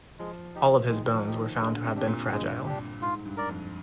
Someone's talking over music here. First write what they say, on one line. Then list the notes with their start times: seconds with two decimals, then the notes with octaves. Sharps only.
All of his bones were found to have been fragile.
0.19 F3 G#3
0.55 D#4 G4
0.89 D#3 G#3
1.13 F3
1.25 D#4 G4
1.37 D#3
1.60 D3 G#3
1.74 D3
1.84 C3
1.95 D4 G4
2.08 A#2
2.31 G2 G#3
2.66 D4 G4
3.02 G#2 F4
3.25 G2
3.37 A#4 D5
3.49 F2